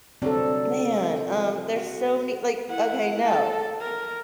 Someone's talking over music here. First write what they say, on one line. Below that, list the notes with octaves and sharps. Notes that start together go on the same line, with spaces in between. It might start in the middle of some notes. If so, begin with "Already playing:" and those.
man, um, there's so many, like okay, no.
D3 F#3 G3 C4 A4
E4
E3 F3
F#4
E4 F#5
A4 A5
A#4